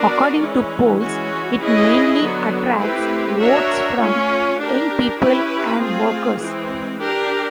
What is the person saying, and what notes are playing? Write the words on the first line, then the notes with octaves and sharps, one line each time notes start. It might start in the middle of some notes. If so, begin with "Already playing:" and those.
According to polls, it mainly attracts votes from young people and workers.
Already playing: B3 D4 F#4 A#4 D5
E3 G#3 C#4
E3 G#3 C#4 F#4
C#4 E4 G#4 B4 D#5
D3 F#3 B3
A3 C4 E4 G4 B4
D4 F#4 A#4 C#5 E5
A3 C#4 F4
D4 G4 A#4
C#4 E4 G4 B4
A3 C4 F4 G#4
E3 G#3 C4
D4 G4 A#4